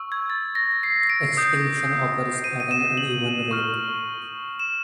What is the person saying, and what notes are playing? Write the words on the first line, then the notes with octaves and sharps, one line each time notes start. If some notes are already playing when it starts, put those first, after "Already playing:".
Extinction occurs at an uneven rate.
Already playing: C#6 E6
G#6
A6
A#6
C7
D7
D#6 G6
D#7
D#7
E7
F#7
C#6 F6
E7